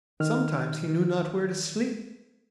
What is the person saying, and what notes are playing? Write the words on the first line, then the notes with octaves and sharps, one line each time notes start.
Sometimes he knew not where to sleep.
D#3 F6